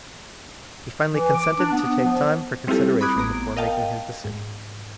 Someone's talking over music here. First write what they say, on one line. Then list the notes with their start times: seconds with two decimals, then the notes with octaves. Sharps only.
He finally consented to take time for consideration before making his decision.
1.13 E3
1.34 D6
1.58 D4
1.72 B3
2.05 F3
2.67 G3 C4 E4 F4 G4 A4
3.01 B5 D6 D#6 F#6 G#6 D7
3.16 A1 B3 A#5 D7
3.57 A#4 D#5 F5 G5 A5
4.24 G#2